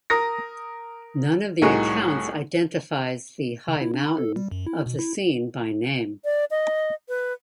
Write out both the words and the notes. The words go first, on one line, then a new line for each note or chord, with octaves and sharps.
None of the accounts identifies the "high mountain" of the scene by name.
A#4 D#6 A#6
C2 A2 D#4 F#4 G#4 A#4
C#3
E4
D4
B5
A4
G3
F#2
E4
B2
E4
D5
D#5
B4